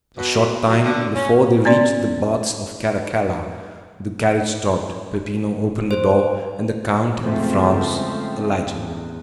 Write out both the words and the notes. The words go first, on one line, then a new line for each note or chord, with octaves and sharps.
A short time before they reached the Baths of Caracalla the carriage stopped, Peppino opened the door, and the count and Franz alighted.
B2
F#3
D3
C#4
B3 C#4 D5 C6
C5
E2 C#3 F3 G#3 A3 C4
A1 E2 G2